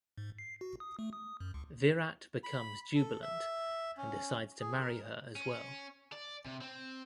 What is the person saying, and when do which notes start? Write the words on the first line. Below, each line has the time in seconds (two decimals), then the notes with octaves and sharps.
Virat becomes jubilant and decides to marry her as well.
0.18 G#2
0.39 C7
0.61 F#4
0.80 D#6
0.99 A3
1.13 D#6
1.40 F#2
1.54 C#2
2.44 B5
2.95 A4
3.22 E5
3.97 C#4
4.60 G#4
4.80 A#4
5.36 C#4
6.12 D5
6.46 C3
6.62 C4